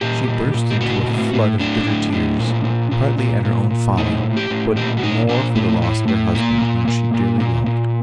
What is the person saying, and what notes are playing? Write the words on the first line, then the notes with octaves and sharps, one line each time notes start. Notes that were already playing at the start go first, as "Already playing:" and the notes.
She burst into a flood of bitter tears, partly at her own folly, but more for the loss of her husband, whom she dearly loved.
A#2 G4
A#2
A#2
G4
A2 F#4
A2
A2
A2 D4
A2
A2
A#2
A#2
A#2
A#2
A#2
A#2
A2 D#4
A2
G4
A2
A#2 G4
F#4
A#2 D#4
A#2 D4
A2 A3
A2
A2
A#2 A#3
A#2
A#2
A#2
A#2
A#2